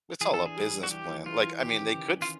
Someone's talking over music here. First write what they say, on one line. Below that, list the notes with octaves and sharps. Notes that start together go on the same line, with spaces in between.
It's all a business plan, like, I mean, they could f
E3 G#4
D4 A4
G#4
G3
G3
F#4
E3 G4
E3
E3 F4
E3
D#3 G4
C#4
D#3
C#4
F4